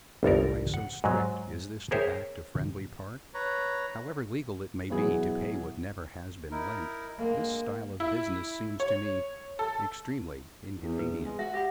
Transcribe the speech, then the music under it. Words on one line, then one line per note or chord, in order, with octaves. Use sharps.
Yet why so strict? Is this to act a friendly part? However legal it may be To pay what never has been lent, This style of business seems to me Extremely inconvenient!
G1 C2 A4 A#4
F#5
G#2 F#3
G#4 A#4 C5 C#5 E5 G5
B4 C#5 A#5
B2 E3 F#3 E4 G#4
D#4 E4 A#4
D3 G#3 A#3
E4
C#5
A4
E2
B4
G#3
F#4 E5
G4 E5 F#5